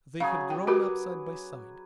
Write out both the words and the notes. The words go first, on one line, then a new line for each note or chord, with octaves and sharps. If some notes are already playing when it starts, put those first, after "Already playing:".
They had grown up side by side.
C#3 F#3 G#4 F5
G5
F#4 G4 A#4 B4 D6